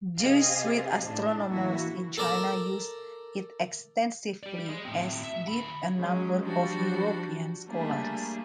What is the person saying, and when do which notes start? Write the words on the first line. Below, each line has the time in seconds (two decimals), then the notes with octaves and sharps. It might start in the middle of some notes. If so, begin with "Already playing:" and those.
Jesuit astronomers in China used it extensively, as did a number of European scholars.
0.18 C3 G4 G#4 D#5 F5
1.02 A2 D4
1.51 E3 A#3 E4 F#4
2.18 A4 A#4 D5 A5 A#5
4.43 G4 D5
4.69 G#4 D#5
4.85 A2 C4
5.23 E5
5.48 D2 B5
5.96 F#3 G#3 C#4
6.42 F3 G3 D4 F#4
7.67 G3 A3 A#3 D4 G#4